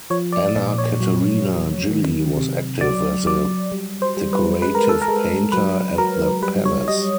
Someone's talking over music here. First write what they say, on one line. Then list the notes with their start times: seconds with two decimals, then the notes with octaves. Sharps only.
Anna Caterina Gilli was active as a decorative painter at the palace.
0.10 F3 C#5
0.32 D5
0.56 A#2 D5
0.78 C#5
1.00 F#3
1.45 F#3
1.91 D#3
2.36 C3
2.81 F#3 D5
3.26 F#3 D5
3.72 G3
4.02 C5
4.17 G3
4.33 B4
4.62 G#3 B4
4.75 A#4
4.89 A4
5.02 A#4
5.08 G#3
5.52 F#3 B4
5.98 F#3 A#4
6.42 G3 B4
6.65 C#5
6.88 G3 D#5